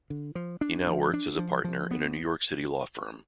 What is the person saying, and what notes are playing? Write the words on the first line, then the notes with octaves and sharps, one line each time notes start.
He now works as a partner in a New York City law firm.
D3
F3
D4
F3
D4
F3
F3
B3